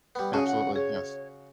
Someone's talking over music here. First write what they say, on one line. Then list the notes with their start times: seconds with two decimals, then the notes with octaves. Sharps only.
Absolutely, yes.
0.15 G3 B3
0.34 C#3 C#4 F#4 G#4 A5
0.47 F#5
0.76 G#4 C#5